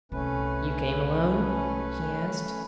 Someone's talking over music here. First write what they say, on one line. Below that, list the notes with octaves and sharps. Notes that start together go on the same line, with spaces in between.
"You came alone?" he asked.
C2 C3 A3 C#4 B4